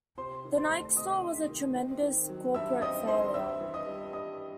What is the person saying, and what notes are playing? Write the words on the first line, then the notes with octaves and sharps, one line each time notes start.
The Nike store was a tremendous corporate failure.
C3 C5 C6
D#3
C5 C6
A3
C3 D#5 D#6
C3
D#3
C4
D#3
F#3
G2 E5 E6
C4 D#5 D#6
D#3 C5 C6
G2 E5 E6
E3
D#5 D#6
G3
G2 D#5 D#6